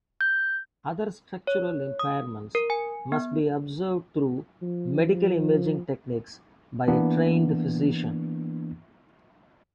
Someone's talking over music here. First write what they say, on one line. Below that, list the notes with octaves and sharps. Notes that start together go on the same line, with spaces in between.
Other structural impairments must be observed through medical imaging techniques by a trained physician.
G6
C#5
D#6
A#4
G#5
B3
F3
E3 A#3 B3 D4